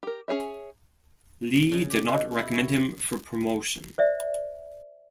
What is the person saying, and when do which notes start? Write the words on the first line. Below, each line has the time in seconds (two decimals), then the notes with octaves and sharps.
Lee did not recommend him for promotion.
0.03 G4 A#4
0.28 C#4 G#4 C#5 E5
1.72 C#3
1.90 G4
2.08 B2
2.39 E4
2.55 C#5
3.98 C5 D5 E5